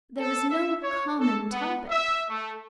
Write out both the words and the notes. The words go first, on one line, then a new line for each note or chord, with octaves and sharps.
There was no common topic.
A4
E5
C#5
A4
B3
E5
A3